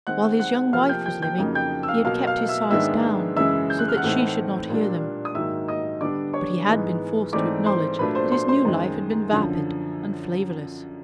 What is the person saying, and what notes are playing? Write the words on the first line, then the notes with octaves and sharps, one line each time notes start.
While his young wife was living he had kept his sighs down, so that she should not hear them; but he had been forced to acknowledge that his new life had been vapid and flavourless.
D#3 G#3 C4 F#5 F#6
F#5 F#6
C3 F3 A#3 F5 F6
G5 G6
G5 G6
G5 G6
F2 C#3 F#3 A#3 D#4
G5 G6
E6
F5 F6
B2 F#3 A#3 F5 F6
F5 F6
E5 E6
G#2 D#3 G#3 B3 D4 E5 E6
F#2 C#3 E3 G#3 E5 E6
G6
F#6
F6
F#5 F#6
A2 E3 A3 C4 D#4
A#2 G3 A#3 D4
D#6
G#2 D#3 F#3 A#3 E5 E6
D#5 D#6
D3 G3 B3 D4 D5 D6
C#5 C#6
G#2 E3 G#3 B3
G#2 E3 A3 C4 D5 D6
C5 C6
A#2 F#3 A3 D4 B4 B5
C5 C6
C5 C6
C5 C6
F#2 D#3 G#3
F#2 D3 F3